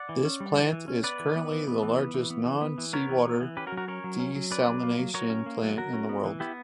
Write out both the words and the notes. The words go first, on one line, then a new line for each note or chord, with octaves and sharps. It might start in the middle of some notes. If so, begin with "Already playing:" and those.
This plant is currently the largest non-seawater desalination plant in the world.
Already playing: D5 F#5
E3
C#4
G3
E3
E3
C#4
B3 B4 D5
E3
B3
E3
B3
E3
B3
E3
B3
E3
B3
E3
B3 A#4 C#5
E3
B3
E3
C#4 G4 B4
F#4 A#4
F#3
F#4 A#4
C#4 A#4 C#5
F#3
C#4
F#3
C#4 B4 D5
F#3
A#3
F#3
F#3 A#4 C#5
C#4
A#3
F#3
F#3 F#4 A#4
C#4
B3
E3
B3 E4 G4